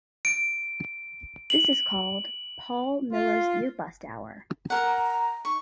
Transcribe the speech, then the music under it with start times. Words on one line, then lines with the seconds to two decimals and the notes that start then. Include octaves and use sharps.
This is called 'Paul Millers Ear Bust Hour'.
0.25 D7
1.50 F#7
3.13 F4
4.70 A#4 F#5 A#5
5.45 D#4 C#6